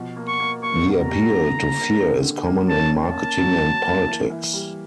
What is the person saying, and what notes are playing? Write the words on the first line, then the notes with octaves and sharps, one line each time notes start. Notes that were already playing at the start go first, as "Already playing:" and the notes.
The appeal to fear is common in marketing and politics.
Already playing: B2 F3
A#3
C#6
A#3
A#3 C#6
B2
A#5
G3
D3
D3
A#3
D3
D3
A#3
C#4 A5
C#4
A5
A#3
F#3
F#3
A#3
E3
E3
G3